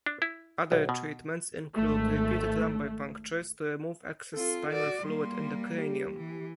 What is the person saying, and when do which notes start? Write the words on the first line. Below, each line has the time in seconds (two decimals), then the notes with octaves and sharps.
Other treatments include repeated lumbar punctures to remove excess spinal fluid in the cranium.
0.06 D4
0.22 E4
0.72 B1
0.89 B2
1.75 G#1 A3
4.33 C4 F4 A4
4.70 F#4 D5
5.04 G3 A#3 C6
5.78 G4
6.17 E3